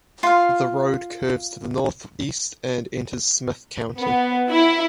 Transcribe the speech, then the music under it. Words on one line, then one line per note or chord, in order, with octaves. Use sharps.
The road curves to the northeast and enters Smith County.
F4 F5
B3
E4